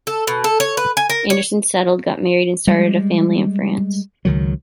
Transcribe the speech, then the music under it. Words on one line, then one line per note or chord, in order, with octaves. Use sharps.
Anderson settled, got married and started a family in France.
A4
B2
A4
C#5
B4
G#5
A#4
C#5
G3 G#3
C#2 D#3 F#3